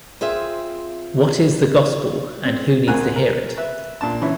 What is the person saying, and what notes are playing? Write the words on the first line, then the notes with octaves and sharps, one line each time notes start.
What is the gospel and who needs to hear it?
C4 F4 G#4 E5
C4
D2 C4 A#4 G#5 F#6
A#4
B4 E5
A#2 D4 A5
D3 E3 C#4 E4